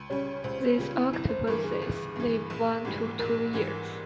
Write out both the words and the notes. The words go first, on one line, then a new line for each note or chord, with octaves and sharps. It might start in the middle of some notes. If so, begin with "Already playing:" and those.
These octopuses live one to two years.
Already playing: C#2
C#3 G3 C#4 C#5
C#2 C5
C5
C#3 G3 C#4 F4
E4
G1 E4
C5
G2 E3 A#4
G#4
G1
G2 E3
A#1
G#2 E3 G3
A#1 A#4
G#2 E3 G3